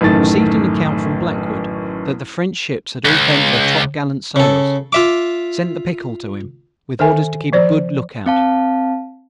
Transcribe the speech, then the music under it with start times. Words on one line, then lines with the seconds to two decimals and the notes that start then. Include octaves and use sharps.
Received an account from BLACKWOOD, that the French ships had all bent their top-gallant-sails. Sent the Pickle to him, with orders to keep a good look-out.
0.01 A1 F#2 D#3 A3 A6
3.05 C#2
4.36 C#3 A4
4.93 F4 E5 D6
6.99 D#3 A4 E5 G#5
7.53 F3 C5 D5
8.26 C4 F5 A5